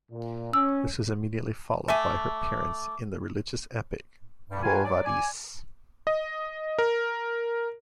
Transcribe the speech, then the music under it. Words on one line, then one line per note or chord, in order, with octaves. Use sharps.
This was immediately followed by her appearance in the religious epic Quo Vadis?
A#2
C#4 E6
A3 E5 G#5 D6
G2 G3
F4 F#4 A#4 B4 G#5
F#3 D5
D5 G#5
D#5
A#4